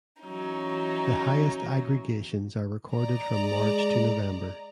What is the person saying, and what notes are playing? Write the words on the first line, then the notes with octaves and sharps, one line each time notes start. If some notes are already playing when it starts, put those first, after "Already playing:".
The highest aggregations are recorded from March to November.
E3 F#3 C#4 D#4
D5 D#5 A#5
G#3